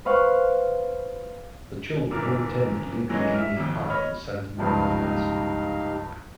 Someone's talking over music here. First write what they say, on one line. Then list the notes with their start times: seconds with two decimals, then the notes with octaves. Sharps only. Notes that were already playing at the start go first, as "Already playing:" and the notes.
The children all attended Lincoln Junior High and Santa Monica High School.
0.05 B4 C5 F5 C#6 F#6
2.11 G1 A#2 D3 E3 A#4 F6
3.09 E3 F#3 G#3 A3 C#4 D#4
3.35 E5 F6
3.56 G#1 F2
3.90 C#5 D#5 B5 F6
4.58 C#2 G2 F3 D#4 G4 F5